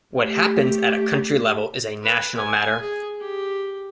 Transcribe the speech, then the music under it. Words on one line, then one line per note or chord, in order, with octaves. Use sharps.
What happens at a country level is a National Matter.
A3 G4
B4
G#5
G#4
G4